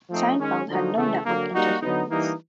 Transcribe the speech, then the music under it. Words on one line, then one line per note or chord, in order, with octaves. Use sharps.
"Seinfeld" had no network interference.
F3 A3 C4 D#4
D#3 G#3 C#4
D3 F3 A#3 D#4 F#4
C#3 E3 A3
D3 F#3 A#3
G3 A#3 D#4 F#4
D3 F#3 B3 D#4
E3 G3 A#3 D#4